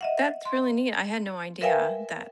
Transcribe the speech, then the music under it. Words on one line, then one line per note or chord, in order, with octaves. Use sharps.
That's really neat, I had no idea that
D#5 E5 F#5
C6
A#4 B4 E5 F5 G5 G#5